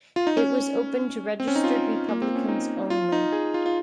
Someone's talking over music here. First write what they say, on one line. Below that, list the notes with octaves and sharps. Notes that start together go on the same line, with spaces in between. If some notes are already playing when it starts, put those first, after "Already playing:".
It was open to registered Republicans only.
F4
D#4
C#4
C4
C#4
D#4
F4
A#3
C4
C#4
D#4
F4
D#4
G#4
F4
F4